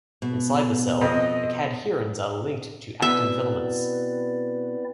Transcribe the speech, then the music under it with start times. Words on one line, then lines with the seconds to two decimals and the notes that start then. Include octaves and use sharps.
Inside the cell, the cadherins are linked to actin filaments.
0.22 B2
1.01 F2 D#5
3.02 B2 C4 E4 B4 D5 E5